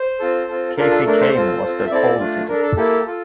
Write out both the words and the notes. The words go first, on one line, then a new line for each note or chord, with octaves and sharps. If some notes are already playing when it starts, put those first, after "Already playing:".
Kasey Kahne was the polesitter.
Already playing: C5
C4 F4 A4
C4 F4 A4
D4 F4 A4 A#4
A4
A3 D4 A4 A#4
C5
C4 F4 A4
C4 F4 A4
E5
C4 E4 A4 D5
A3 D4 F4
D4 A4 A#4
A4
A#3 E4 G4 A4
F4 A4